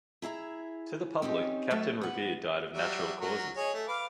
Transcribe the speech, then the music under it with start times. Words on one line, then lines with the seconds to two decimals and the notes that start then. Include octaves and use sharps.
To the public, Captain Revere died of natural causes.
0.22 E4 G#4 E5 A#5
1.22 C4 C#4 D#4 G4
1.70 F#3 A3 A4 C#5 E5
2.01 B3 F#5
2.73 F#3 G3 E5
3.20 F#3 A#4
3.57 G#4 C#5 D#5
3.73 A3
3.88 B4 F5 D6